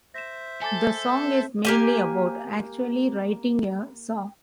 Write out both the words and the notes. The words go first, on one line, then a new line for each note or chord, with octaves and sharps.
The song is mainly about actually writing a song.
C5 E5 A#6 E7
A4 G#5 D6 A6
A#3 G4 G#5